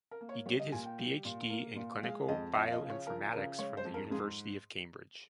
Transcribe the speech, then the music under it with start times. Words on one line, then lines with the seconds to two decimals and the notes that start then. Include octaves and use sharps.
He did his PhD in clinical bioinformatics from the University of Cambridge.
0.11 A#4
0.21 A#3
0.29 C#5
0.46 G3 C#5
0.59 D#5
0.72 A#2 G#5
0.86 G5
0.99 G3
1.25 A#2
1.50 A#3
1.76 A#2
2.03 G#3 F5
2.28 F2 D#5
2.54 F3 D#5
2.67 F5
2.72 D#5
2.81 C#3
2.90 C#5
3.07 F3 A#4
3.33 C#3 A#4
3.59 G#3 C#5
3.77 C5
3.85 F2
3.94 A#4
4.11 G#2 G#4